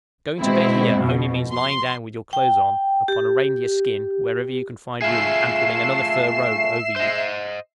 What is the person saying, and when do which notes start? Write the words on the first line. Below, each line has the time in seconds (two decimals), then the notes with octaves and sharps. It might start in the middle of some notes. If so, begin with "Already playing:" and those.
Going to bed here, only means lying down with your clothes on, upon a reindeer skin, wherever you can find room, and pulling another fur-robe over you.
0.40 B2 G#3 C4 E4
0.99 F2 B2
1.52 C6
2.33 G5
3.08 G4
5.02 A3 F4 G#4 E5 C7 E7
6.96 C5 D#5